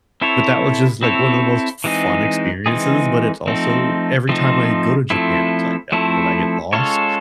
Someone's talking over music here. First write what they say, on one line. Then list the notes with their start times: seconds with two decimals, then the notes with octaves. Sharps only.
but that was just, like, one of the most fun experiences, but it's also, every time I go to Japan, it's, like, that because I get lost,
0.21 C4 E4 A4 C#5
1.03 C4 E4 A4 C#5
1.84 E3 G#3 C4 D#4 G#4
2.66 E3 G#3 C4 D#4 G#4
3.47 F3 A3 C4 D#4
4.29 F3 A3 C4 D#4
5.10 F3 A3 C4 E4 A4
5.92 F3 A3 C4 E4 A4
6.73 G#3 C#4 F4 A4 C#5